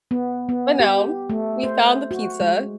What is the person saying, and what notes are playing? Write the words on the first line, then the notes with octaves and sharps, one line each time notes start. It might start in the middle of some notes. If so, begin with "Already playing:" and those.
But no, we found the pizza,
B3
B3
G4
A3
C5
F#4
G#3